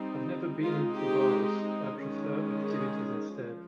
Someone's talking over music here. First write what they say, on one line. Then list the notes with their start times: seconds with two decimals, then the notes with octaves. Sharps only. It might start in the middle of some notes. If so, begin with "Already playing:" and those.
I've never been into bars I prefer activities instead.
Already playing: G3 C4 D#4
0.62 G#3 C4 D#4 F4
0.96 G4
2.00 D#3 G#3 C#4
2.69 G#4
3.38 F3